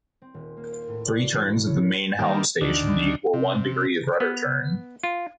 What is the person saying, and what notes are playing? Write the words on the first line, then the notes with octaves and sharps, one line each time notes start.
Three turns of the main helm station equal one degree of rudder turn.
C4
D#1
A#3
C5
A2
D5
F#4
E3
A2
C#5
A#4
D#3 G3 A#3
D2 D#3 D4
C3
B3
F4